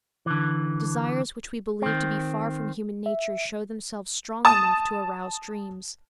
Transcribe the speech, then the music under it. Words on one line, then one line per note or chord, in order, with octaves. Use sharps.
Desires which we believe to be far from human nature show themselves strong enough to arouse dreams.
D3 E3
D#3 C4
E5
A5 D#6